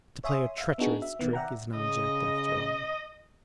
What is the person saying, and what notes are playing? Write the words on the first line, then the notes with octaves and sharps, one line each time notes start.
To play a treacherous trick is an object after all.
C#5 E5 G#5 C6 D#6
E5 F5
B3 D4 D#4 F#4 G#4
E5
B2 D#3 B3
D5 E5 F#5 G5 A#5
C#3 D#5